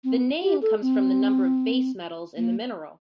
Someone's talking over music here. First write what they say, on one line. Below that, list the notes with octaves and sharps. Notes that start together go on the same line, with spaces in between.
The name comes from the number of base metals in the mineral.
C4
G4
A4
C4
A#3